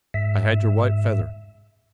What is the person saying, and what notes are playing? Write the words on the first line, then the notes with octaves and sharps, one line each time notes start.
"I had your white feather."
G#2 E5